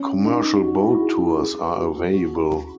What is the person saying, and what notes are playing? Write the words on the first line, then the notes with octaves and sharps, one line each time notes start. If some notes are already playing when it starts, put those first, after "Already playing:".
Commercial boat tours are available.
Already playing: C#4
D#4
F#4
E4
F#4
G#4
G#4
F#4
F#4